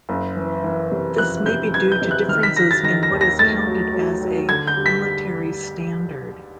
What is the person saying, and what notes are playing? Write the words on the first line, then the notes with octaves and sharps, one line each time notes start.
This may be due to differences in what is counted as a "military standard".
F#1
E3
E3
C3
F2 F#6
C3 G6
E3 G#6
G6
C3
F#6
D#3 F6
B6
F#3 A#6
A6
D#3 A#6
A#6
D#2
A#6
A3 A6
F#3
F#3
F#3
D3 G#6
G6
G3
B6